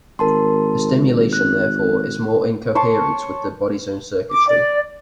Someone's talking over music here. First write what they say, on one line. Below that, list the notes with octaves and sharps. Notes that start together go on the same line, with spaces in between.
The stimulation therefore is more in coherence with the body's own circuitry.
G#1 A#4 A5 C6
F#6
C#5 A5 C6 D6
D6
D5